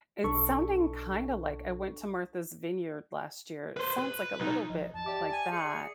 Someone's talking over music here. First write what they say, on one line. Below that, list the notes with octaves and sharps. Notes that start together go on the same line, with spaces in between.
It's sounding kinda like I went to Martha's Vineyard last year. It sounds like a little bit like that.
B1 D4 A4 C#6
B4 C5
B4
B1 D#4
G#1 F3 D#5
E2 A5
G4 D5 E5 D6
G#5
G#4 C#7